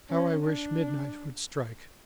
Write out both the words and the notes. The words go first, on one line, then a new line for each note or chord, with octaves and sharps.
"How I wish midnight would strike!"
C#4
D4